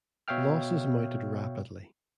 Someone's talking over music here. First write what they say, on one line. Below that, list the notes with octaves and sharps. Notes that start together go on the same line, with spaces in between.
Losses mounted rapidly.
B2 C#5 E5 F5 G5 F6